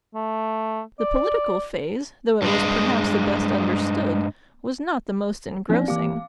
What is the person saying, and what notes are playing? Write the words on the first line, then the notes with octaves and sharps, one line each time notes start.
The political phase, though it was perhaps the best understood, was not the most engrossing.
A3
D5
G2 G#3
F3 A#3 C4 D4 D5
E3 A#3 G4 F5 D6